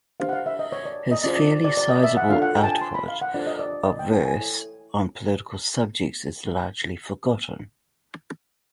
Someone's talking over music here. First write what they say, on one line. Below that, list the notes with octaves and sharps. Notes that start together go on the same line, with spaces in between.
His fairly sizeable output of verse on political subjects is largely forgotten.
D4 G4 C5 F5
F#5
F5
E5
D#5
C#5
D5
D#5
C#4 F4 G#4 C5 D5
D5
D5
D5
D#5
E5
F#5
D4 F4 A4 C#5 F5
F#5
G5
A5
G#5
C6
B5
F5
F#5
D4 F4 A4 C5 D5
D#5
D5
D#5
G5
G5
G#5
E4 A4 C#5